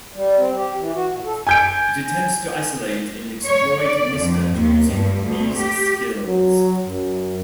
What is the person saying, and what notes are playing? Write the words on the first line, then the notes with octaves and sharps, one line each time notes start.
It attempts to isolate and exploit a mismatch using these skills.
G3
C4
G4
E3
F#4
A#2
A4
G#5 G6 D7
C#5
D5
F2
D#2
G2
D2
G4
F#3
F#2